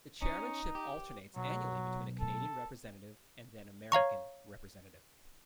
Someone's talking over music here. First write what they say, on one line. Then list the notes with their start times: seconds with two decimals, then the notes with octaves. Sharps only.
The chairmanship alternates annually between a Canadian representative and an American representative.
0.22 C#4 D#4
0.75 G4
1.36 B1 F#3
2.20 A4
3.92 C#5 F5 A#5 C#6